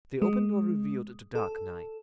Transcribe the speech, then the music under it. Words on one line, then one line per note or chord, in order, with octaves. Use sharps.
The open door revealed the dark night.
G#3
A4